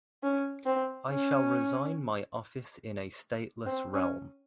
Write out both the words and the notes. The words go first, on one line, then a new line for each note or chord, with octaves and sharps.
I shall resign my office in a stateless realm.
C#4
C4
C#4
C4
C#4